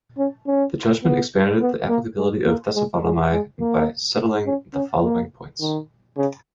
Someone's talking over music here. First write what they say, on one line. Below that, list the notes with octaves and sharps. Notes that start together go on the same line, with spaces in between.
The judgement expanded the applicability of thesawalamai by settling the following points.
C#4
C#4
B3
B3
A#3
G#3
A#3
G#3
G#3
G#3
A#3
C#4
C#4
A#3
D#3
C#3